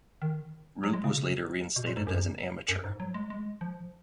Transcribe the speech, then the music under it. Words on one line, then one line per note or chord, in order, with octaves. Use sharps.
Rube was later reinstated as an amateur.
D#3
F#3
G#3
C#3
B2
C#3
B2
A#2
G#2
F#2
F#2
G#2
F#3
G#3
G#3
F3